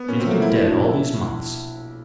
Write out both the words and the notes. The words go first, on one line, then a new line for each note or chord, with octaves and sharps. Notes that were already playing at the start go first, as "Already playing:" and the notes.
She has been dead all these months.
Already playing: B3
A#2 C#4
C4
F#3 A3 A#3
A2 E4
F3 A#3 D4 F#4
B1